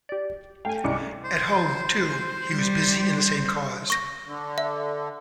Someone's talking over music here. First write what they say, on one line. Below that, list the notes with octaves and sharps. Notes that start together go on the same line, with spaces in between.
At home, too, he was busy in the same cause.
G4 D5
A3 F5 G5 G#5
C2 G3 G#3 C#4 D6 C#7
C5
G3
C#6 A#6
D3
E5